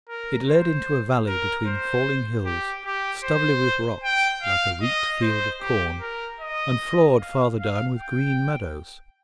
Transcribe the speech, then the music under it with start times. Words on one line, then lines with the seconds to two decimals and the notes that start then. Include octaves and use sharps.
It led into a valley between falling hills, stubbly with rocks like a reaped field of corn, and floored farther down with green meadows.
0.09 A#4
0.48 C5
1.27 A#4
1.67 C5
2.46 G4
2.85 G4
3.24 C5
4.04 G5
4.43 F5
4.82 D#5
5.22 C5
5.62 G4
6.01 A#4
6.40 D#5
7.20 F5
7.59 F5
7.98 G5